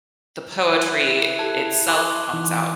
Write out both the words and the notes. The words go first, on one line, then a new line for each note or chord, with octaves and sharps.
the poetry itself comes out
E4 F#6
G4 A4 A5 F#6 G#6
C6 D6 F#6
E3 D#4